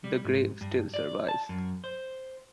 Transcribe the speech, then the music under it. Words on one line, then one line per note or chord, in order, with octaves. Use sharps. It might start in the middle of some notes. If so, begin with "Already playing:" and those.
The grave still survives.
G3
G#2
G2
D5
A5
F#2
C5